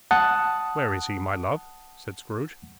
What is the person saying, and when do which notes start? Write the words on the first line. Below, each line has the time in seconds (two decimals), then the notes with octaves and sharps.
'Where is he, my love?' said Scrooge.
0.11 F#5 A5 D#6 F#6